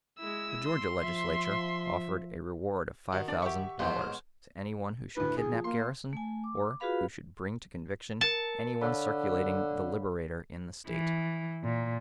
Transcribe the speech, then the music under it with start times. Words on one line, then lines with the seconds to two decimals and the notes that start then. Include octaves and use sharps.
The Georgia Legislature offered a reward of five thousand dollars to any one who should kidnap Garrison, or who should bring to conviction any one circulating the "Liberator" in the State.
0.19 G#3 E4 E6
0.67 C6
1.02 F3 E5
3.13 D#3 F#4
3.28 D4 D5
3.42 G4 E5 F#5 C#6
3.79 C2 F2 G#2 B2 C5 C#5 G5
4.02 F6
5.17 D2 A2 B4
5.38 G#4
5.51 F3
5.64 A#3 C6
6.13 A3 G#5
6.44 D6
6.80 F4 F#4 G#4 B4 F5 B5
8.21 A#4 A5 C#7
8.81 D3 C#5 F5 B5
10.88 E3
11.64 A#2